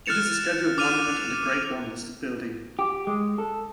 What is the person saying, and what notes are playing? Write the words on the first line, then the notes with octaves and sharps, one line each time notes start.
It is a scheduled monument and a Grade One listed building.
F6 F#6 A6 C#7 E7 F7
D6 F6 D#7 F7
G4
G#3
A4